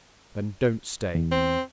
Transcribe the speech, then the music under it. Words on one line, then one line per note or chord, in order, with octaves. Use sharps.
"Then don't stay."
E2
C4